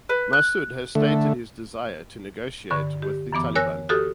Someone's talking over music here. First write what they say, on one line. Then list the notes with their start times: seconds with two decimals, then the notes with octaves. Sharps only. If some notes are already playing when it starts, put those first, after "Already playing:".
Massoud has stated his desire to negotiate with the Taliban.
0.09 B4
0.33 F#6
0.95 D3 A3
2.71 G2 D3 C#6
3.02 G4
3.32 F#2 E3 B3 D6
3.55 A#4 C#5 G#5 E6 F#6 A#6
3.89 F#4 G4 A4 D#6 F6